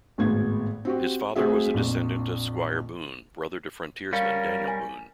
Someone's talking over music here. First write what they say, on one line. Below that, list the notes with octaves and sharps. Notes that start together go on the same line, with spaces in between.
His father was a descendant of Squire Boone, brother to frontiersman Daniel Boone.
G#1 A2 G#3 B3 G#6
C4 F#4 G4
A3 C4 F#4 G#4 E5
A#1 F2
G3 C#4 A#4 F5
G#5